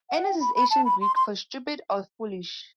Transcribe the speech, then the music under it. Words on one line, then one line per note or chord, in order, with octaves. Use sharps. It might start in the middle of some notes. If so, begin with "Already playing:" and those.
"Anous" is Ancient Greek for "stupid" or "foolish".
F#5
G5
B5
B5
A5
B5
C6
C6